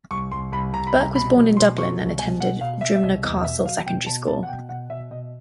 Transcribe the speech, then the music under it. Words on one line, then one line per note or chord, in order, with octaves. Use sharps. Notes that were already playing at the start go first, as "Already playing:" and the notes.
Burke was born in Dublin and attended Drimnagh Castle Secondary School.
C2 C#6
C2 C6
C2 B5
C2 A#5
B5
C2
A#5
B2 B5
F#3
B2 C6
F#3 C#6
C2
B2 G#5
B2 F#5
B2 F5
B2 E5
E5
C2 D#5
E2 D#5
B2 E5
F#3 F5
B2 G5
B2 A5
B2 A5
F#5
B2 G5
B2 F#5
B2 E5
B2 D#5